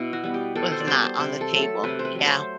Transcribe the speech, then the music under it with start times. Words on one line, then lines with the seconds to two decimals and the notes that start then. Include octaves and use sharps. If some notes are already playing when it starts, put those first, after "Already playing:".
Was not on the table. Yeah.
Already playing: B2 E4
0.13 F#4
0.24 G3 B3
0.34 G4
0.55 B2 A4
0.72 C5
0.80 D5
0.87 G3 B3 C5
1.04 C5
1.19 C3 C5
1.41 A4
1.52 F#3 A3
1.62 A4
1.84 C3 B4
1.99 C5
2.05 B4
2.15 F#3 A3
2.26 C5